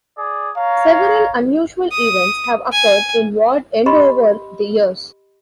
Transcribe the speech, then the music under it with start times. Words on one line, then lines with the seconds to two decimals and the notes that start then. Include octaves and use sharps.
Several unusual events have occurred in Ward End over the years.
0.17 G#4 D5
0.57 C#5 F5 A#5
1.92 D#6
2.72 G#5
3.86 G4 D#5 B5 C6